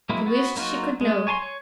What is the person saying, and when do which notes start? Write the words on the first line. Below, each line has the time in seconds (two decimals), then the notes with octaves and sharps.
She wished she could know.
0.09 F#3 G#3 A#3 C4 E4
0.26 B3 F#4
0.56 F#3 A#3 D#4 F4 F#4
1.01 G#3
1.27 C#5 G#5 A5 C6
1.42 C#5